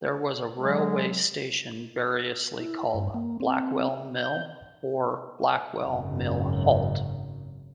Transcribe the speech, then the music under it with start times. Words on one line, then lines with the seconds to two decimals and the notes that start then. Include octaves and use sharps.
There was a railway station variously called "Blackwell Mill" or "Blackwell Mill Halt".
0.60 F#3 G#3
2.60 E4
2.94 G2
3.14 A#3
3.40 C4
4.17 G6
5.81 G#1 F#2 C#3